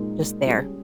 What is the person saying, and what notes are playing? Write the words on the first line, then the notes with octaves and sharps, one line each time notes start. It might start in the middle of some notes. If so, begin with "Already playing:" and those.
just there.
Already playing: A#2 G#3 D#4 A#4
G3 C#4 G#4